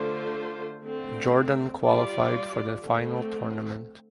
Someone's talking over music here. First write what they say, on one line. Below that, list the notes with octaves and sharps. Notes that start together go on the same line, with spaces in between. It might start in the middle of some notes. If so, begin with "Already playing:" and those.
Jordan qualified for the final tournament.
Already playing: D3 A3 F4 C5
D3 A3 C4
G3 F4 D5
D3 A3 C4